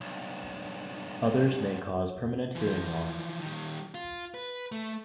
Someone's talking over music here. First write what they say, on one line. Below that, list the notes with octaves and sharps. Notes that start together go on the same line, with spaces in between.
Others may cause permanent hearing loss.
B1 G2
E3 F3
D#3 G3
F4
B4
A3